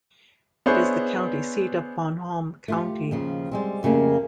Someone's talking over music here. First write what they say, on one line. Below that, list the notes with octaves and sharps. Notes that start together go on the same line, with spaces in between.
It is the county seat of Bon Homme County.
B3 D4 E4 G#4 C5 C#5
A3 F4 G4
D#2 C#3 F3
G3 G#3 C4
F2 C#3 A3 A#3 G4